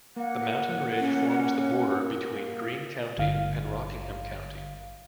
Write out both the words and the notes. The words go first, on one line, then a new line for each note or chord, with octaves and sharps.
The mountain ridge forms the border between Greene County and Rockingham County.
A#3 F#5
C#4
G#1 G2 D3 F5